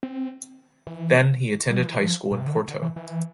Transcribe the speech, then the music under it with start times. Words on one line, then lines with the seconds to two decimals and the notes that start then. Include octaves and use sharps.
Then he attended high school in Porto.
0.03 C4
0.87 E3
1.70 G3
1.79 F3
1.87 E3
1.95 F3
2.31 A#2
2.40 C3
2.47 D3
2.54 E3
2.68 D3
2.82 E3
2.96 E3